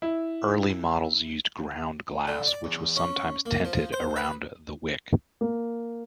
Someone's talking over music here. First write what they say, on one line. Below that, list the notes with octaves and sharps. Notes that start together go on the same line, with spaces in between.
Early models used ground glass which was sometimes tinted around the wick.
E4
D3
D5
E2
C#4
A#3
F3
C5
B4
A#3